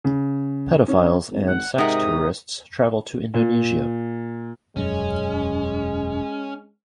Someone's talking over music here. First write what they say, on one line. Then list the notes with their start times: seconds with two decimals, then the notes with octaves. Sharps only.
Pedophiles and sex tourists travel to Indonesia.
0.04 C#3
0.88 C#4
1.31 G#1
1.46 F#5
1.78 G#2 C3 D#4 A#4 F#5 D#6
3.34 A#2
4.76 E1 F#2 G#3 C#4